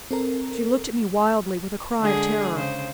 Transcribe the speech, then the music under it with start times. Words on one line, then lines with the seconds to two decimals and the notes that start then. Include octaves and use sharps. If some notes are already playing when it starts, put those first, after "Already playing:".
She looked at me wildly, with a cry of terror.
0.11 C4 A4 A#4
2.01 D3 G#3 G#4
2.55 C#3 C5